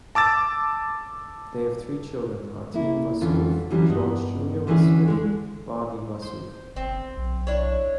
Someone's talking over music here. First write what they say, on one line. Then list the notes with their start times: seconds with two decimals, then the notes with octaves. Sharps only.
They have three children: Hatem Wassouf, George Junior Wassouf, Wadie Wassouf.
0.15 A5 D6 E6 A6
2.74 A#3 E4
3.21 F2 D3 E3 C#4 F4
3.70 D3 E3 F#3 G3 C#4
3.88 G2 B3 D#4
4.67 D3 E3 C#4 D#4 G#4
5.06 D3 G#3 A3
6.22 C5
6.76 G1 C4
7.17 B1
7.47 D4 E4 C#5